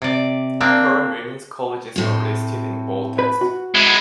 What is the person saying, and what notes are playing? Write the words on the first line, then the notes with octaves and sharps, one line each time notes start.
Current women's colleges are listed in bold text.
C3 D5
A#3 C4 D4
A2 C4
B4
F#4
G#3 E4